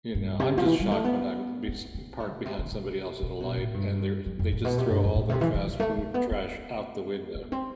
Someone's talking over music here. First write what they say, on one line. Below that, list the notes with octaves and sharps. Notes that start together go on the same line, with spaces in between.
You know, I'm just shocked when I'm bes parked behind somebody else's light, and they're they just throw all their fast food trash out the window.
G2
C3
F3
E3
G3
A3
B3
C4
C4
A3
B2
C3
D3
C3
C3
B2
A2
G2
F2
F2
A2
B2
C3
G2
F2
A2
C3
E3
E3
E3
A3
A3
B3
B3
A3
C4